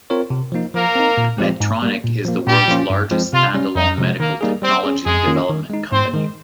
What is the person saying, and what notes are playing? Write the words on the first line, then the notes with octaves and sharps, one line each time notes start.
Medtronic is the world's largest standalone medical technology development company.
C4 F4 A#4 C#5
C3
F3 A#3 D#4
F3 A#3 A#4
C4 D#4
A#2
F3 G#3 C4 G4
G#2
G3 A#3
A#2
F3 A#3
A#2 G3 G4
F3 A#3 C#4 F4
G2
F3 G#3 C4
C3 F4
G3 C#4
F2 D#4
C3 F3 G#3
D#3 A#3
G3 A#3 D#4 G#4
G3 C4
C#4 G#4
F2 G#3 G#4
D#3 A#3 C#4 F4
D#3
G#3 D#4
G#2 C4 C5
D#3 G#3